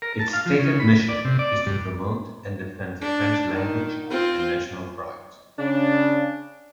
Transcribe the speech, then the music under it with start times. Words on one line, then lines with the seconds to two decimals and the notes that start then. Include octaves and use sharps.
Its stated mission is to "promote and defend the French language and national pride".
0.02 A#4
0.20 A5
0.33 F5
0.46 F3
0.59 C#3
0.80 B5
1.08 D5
1.25 C3
1.39 D5
1.66 G2
3.02 D4
3.49 D#3
4.10 C4 F4
5.59 C#3 D4